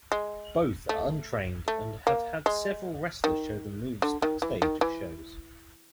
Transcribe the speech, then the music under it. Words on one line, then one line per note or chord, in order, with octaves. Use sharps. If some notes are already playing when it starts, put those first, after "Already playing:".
Both are untrained and have had several wrestlers show them moves backstage at shows.
G#3
A3
A3
A#3
G#3
D#3
D3
D#3
E3
D#3
E3